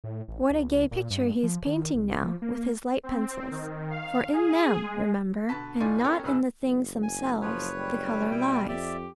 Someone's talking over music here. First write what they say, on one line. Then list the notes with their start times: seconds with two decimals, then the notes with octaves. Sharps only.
What a gay picture he is painting now, with his light-pencils; for in them, remember, and not in the things themselves the colour lies.
0.04 A2
0.28 A1
0.50 C#2
0.91 A#2
1.10 G2
1.43 F3
1.66 D#3
1.94 C2
2.23 F3
2.42 A#3
3.03 C4
3.51 D#3
3.91 F5
4.33 G#4
4.83 G#3
5.49 B2 D3 B4 A5 B6
5.80 D#2 A2 D#4 F4 D5 G#5
6.04 B3 C#4 A4 A#4 C#5 G5
6.23 F1 C#2 D#4 G#4 B4 E6
6.63 F#1
7.03 G#5
7.42 F3 B4 C#5
7.78 G3
8.31 B2 E4 G5
8.69 F2 G4 D5 E5